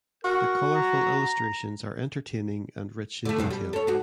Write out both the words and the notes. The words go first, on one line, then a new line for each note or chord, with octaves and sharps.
The colorful illustrations are entertaining and rich in detail.
F#4 A#4
A#5
D3 A3
E2 G2 B2
G3
A4 C#5
G#2 F#4